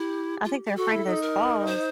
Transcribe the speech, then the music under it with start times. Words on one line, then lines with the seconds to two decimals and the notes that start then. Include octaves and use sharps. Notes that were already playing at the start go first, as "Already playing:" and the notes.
I think they're afraid of those claws.
Already playing: E4 G4
0.45 F4
0.66 G4
0.77 F#4 A4
0.92 E4
1.06 D#4
1.22 A#4
1.67 C5